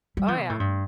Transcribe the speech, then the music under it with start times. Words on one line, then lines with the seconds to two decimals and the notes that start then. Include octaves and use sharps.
Oh, yeah.
0.17 G3
0.28 F3
0.39 B2
0.50 A2
0.60 G2